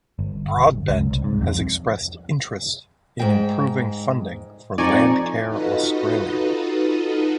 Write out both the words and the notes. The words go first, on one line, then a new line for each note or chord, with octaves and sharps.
Broadbent has expressed interest in improving funding for Landcare Australia.
G1
G1
C#2
C2
G#2
F2
G#2 G5
F2 D#4 D5 G#5 C#6
D#4 F4 F#4 A4 B4 D#5